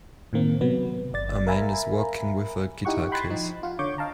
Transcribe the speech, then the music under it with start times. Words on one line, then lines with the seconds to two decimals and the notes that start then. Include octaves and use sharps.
A man is walking with a guitar case.
0.33 A2 D#3 A#3 C4
0.61 C3 F#3 B3 B4
1.13 G1 D5 A6
1.47 A#4 E5 F5 G#5 A#5 B5
2.85 D#4 E4 G4 F#5 C#6
3.12 G5 B5 C6 F#6 G#6 A6
3.30 F3 D#4
3.63 F4 F#5
3.79 D3 C#5 C#6 D6 G6
3.98 D#5 F5 A5 A#5